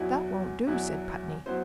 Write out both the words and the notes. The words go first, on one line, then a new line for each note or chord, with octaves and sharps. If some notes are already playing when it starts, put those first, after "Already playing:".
"That won't do," said Putney.
Already playing: E2 B2 F#3 B3 E4
E2 B2 F#3 B3 E4
F#3 B3 E4 C5